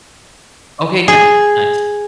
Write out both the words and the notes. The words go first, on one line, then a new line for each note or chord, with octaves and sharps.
Okay, nice, nice.
G#4